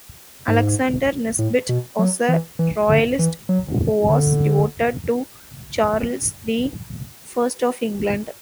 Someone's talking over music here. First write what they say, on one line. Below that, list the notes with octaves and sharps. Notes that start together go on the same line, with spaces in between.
Alexander Nesbit was a royalist who was devoted to Charles the First of England.
G#2
A2
B2
F#3
E3
E3
D3
E3
F#3
D3